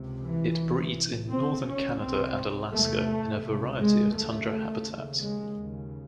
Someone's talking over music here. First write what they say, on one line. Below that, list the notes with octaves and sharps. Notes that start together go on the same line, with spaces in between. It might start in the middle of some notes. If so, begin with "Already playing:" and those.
It breeds in northern Canada and Alaska in a variety of tundra habitats.
Already playing: C#2 C3
E3
C2 C3
D#2 C#3 C4
C#4
C2 C3 C4
E2 C3 A3
C#2 C3
G#3
D#2 C#3 A3
D#2 C#3
G#3
D#2 C#3